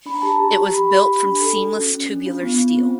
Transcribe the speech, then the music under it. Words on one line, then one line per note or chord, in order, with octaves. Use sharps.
It was built from seamless tubular steel.
D4 B5
A#5
G4 A5
A#5
G4
G4
G4 B5
G4
G4
D4
A4
F#4
C#4
C#4
D4
F4
B3
F4
C4